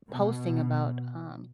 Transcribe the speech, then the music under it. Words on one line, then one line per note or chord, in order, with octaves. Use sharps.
posting about, um,
B2